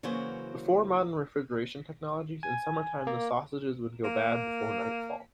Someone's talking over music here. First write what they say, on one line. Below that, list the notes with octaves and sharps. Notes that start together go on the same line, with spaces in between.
Before modern refrigeration technologies, in summertime the sausages would go bad before nightfall.
C#3 E3 F#3 A#3 F#4 C5
G#5
A#3
A#3